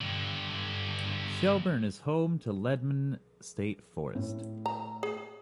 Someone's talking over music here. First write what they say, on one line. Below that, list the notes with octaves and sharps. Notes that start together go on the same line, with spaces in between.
Shelburne is home to Leadmine State Forest.
G2 D3
A2
A#5
G#4